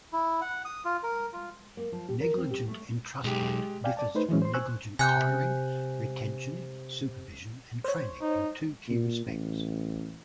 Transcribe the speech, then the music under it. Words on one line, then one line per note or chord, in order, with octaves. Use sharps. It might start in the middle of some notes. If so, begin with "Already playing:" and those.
Negligent entrustment differs from negligent hiring, retention, supervision, and training in two key respects.
E4
F#5
D#6
F4
A#4
F4
A#3
F3
G4
A#4
C4
G4
A3
B1 G#3 G4
D5 F5 G5 G#5
D5 A5
A3 D#4 B4 C5
E3 F#3 G#3 C#4
C5 C6
C5 G#5 C#6 E6 F#6
C3 G#5 F#6 G6
C5 C#5
D#4
A#2
A1